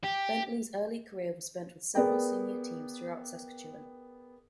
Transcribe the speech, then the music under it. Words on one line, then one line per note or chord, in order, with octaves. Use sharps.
Bentley's early career was spent with several senior teams throughout Saskatchewan.
G4
B3 G#4 A#4 D5 G5